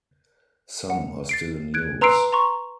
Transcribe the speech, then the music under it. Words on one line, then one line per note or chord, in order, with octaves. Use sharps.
Some are still in use.
F#5
A6 C7 D7
F#6 G#6 D7
B4 A#5 C6 E6 C7 D7
A#5 C6 C#6